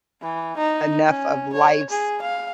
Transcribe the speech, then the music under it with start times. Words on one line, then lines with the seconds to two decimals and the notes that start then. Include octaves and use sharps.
enough of life's
0.22 E3
0.57 D#4
1.08 C#4
1.53 C#5
1.90 G#4
2.22 F5